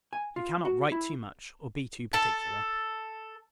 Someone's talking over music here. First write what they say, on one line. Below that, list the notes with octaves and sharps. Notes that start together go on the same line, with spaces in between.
You cannot write too much, or be too particular.
G#5
F4
F#4
E4
A4 A5